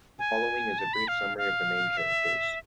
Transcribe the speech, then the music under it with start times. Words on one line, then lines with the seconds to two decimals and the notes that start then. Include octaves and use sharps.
The following is a brief summary of the main characters.
0.19 G#5
0.79 A5
0.93 B5
1.08 F5
1.38 F5
1.97 E5